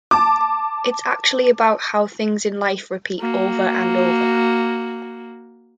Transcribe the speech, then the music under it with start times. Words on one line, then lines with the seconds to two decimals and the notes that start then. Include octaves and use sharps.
It's actually about how things in life repeat over and over.
0.11 A5 D6
3.20 A#3 F#4